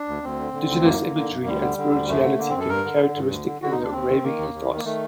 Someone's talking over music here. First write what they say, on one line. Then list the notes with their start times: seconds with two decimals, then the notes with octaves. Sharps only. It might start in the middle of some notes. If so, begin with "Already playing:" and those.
Indigenous imagery and spirituality can be characteristic in the Raving ethos.
Already playing: D4
0.08 D2
0.23 D2 C4
0.39 D3
0.54 D3
0.69 D2
0.84 F#2 A#3
1.00 D3
1.16 D3
1.30 F#2
1.46 D2 G3
1.61 D3
1.77 D3
1.92 D2
2.08 F#2 A3
2.23 D3
2.38 D3 A#3
2.49 C4
2.55 F#2 A4
2.69 G2 A#4
2.85 D3
3.00 D3
3.16 G2
3.30 D2
3.46 D3
3.62 D3 F#4
3.72 D#4
3.77 D2
3.83 D4
3.92 D#2 C4
4.09 D#3
4.23 D#3 A#3
4.39 D#2
4.54 D#2
4.69 D#3
4.78 A#3
4.84 D#3 A3